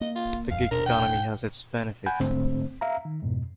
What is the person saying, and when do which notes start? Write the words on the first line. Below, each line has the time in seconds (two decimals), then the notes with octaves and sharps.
The gig economy has its benefits.
0.01 A#3 D#5
0.16 F4
0.51 D#1 F2 F5
0.71 D#1 B2 D4 A#4
0.86 G5
2.06 F#5 G#5 B5 G6
2.20 G#2 D3 A3 C4
2.81 E5 F5 A#5
3.05 D#3
3.22 F2 G#2 B2